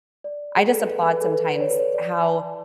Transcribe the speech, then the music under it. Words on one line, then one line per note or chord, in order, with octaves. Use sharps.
I just applaud sometimes how
D5
G#4
A4
B4
B4
A4
B4
D5
C#5
B4
C#5
D5
A5